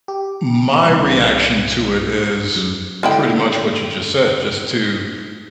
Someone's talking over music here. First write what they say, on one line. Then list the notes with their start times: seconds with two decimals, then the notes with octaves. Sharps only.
my reaction to it is p pretty much what you just said, just to
0.08 G4
0.87 C2
2.56 F#2
3.03 D3 G#3 E4 G4 A4 G5